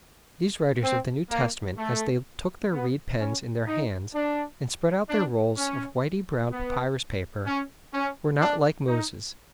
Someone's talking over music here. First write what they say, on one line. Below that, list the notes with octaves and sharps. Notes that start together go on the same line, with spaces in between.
These writers of the New Testament as they took their reed pens in their hands, and spread out their rolls of whitey-brown papyrus-paper, were not like Moses.
C4
A#3
A3
B3
C#4
D#4
D4
D4
C#4
B3
C#4
C#4
D4
D#4